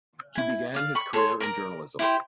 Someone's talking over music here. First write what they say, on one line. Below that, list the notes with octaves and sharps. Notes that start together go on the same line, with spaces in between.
He began his career in journalism.
E4 G#5
D5 F5
B5 C#6
G#4 A4 C#5 C6
A#4 D5 A#5
E4 G4 C5 G5